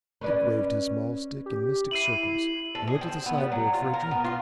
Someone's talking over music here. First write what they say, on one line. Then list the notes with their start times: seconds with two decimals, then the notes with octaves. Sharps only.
Dick waved his mahl-stick in mystic circles and went to the sideboard for a drink.
0.21 C#4 B4 D5
1.46 G4
1.91 E4 C7 D#7 F#7
2.75 A4
2.87 G#4
3.01 C4
3.26 B3
3.38 G3
3.52 F#3
3.74 F4
3.94 A#4
4.11 B3
4.24 F4